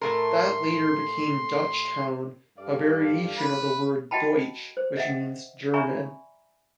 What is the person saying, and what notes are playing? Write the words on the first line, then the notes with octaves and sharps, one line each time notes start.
That later became Dutchtown, a variation of the word "Deutsch," which means German.
A2 A3 A#4 C6
G2 A4 D5 F5
B4
F#4 D#5 F#5 G5 A5 B5
C5
D#5 E5 F#5 G5
D5 E5 G#5 A#5 B5 C#6